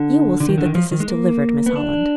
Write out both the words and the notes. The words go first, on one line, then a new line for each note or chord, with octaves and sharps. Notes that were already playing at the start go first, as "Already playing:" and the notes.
"You will see that this is delivered, Miss Holland."
Already playing: D3
D3
D#3
D3
D#3
F3
D#3
G#3
A#3
B3
D4